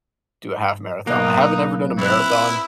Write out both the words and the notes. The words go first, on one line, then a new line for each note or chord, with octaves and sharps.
do a half marathon," I haven't ever done a marathon,
B1 A#3 D#4 B4
C4 E4 B4